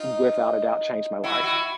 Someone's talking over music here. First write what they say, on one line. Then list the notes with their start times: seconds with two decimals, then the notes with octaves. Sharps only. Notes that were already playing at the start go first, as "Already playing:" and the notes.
Without a doubt, changed my life.
Already playing: D#4 F4
1.24 E4 F#4
1.43 E4 F#4